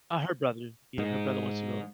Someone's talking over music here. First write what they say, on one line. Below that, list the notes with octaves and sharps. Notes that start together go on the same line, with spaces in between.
Ah, her brother. Yeah, her brother wants to go.
G#2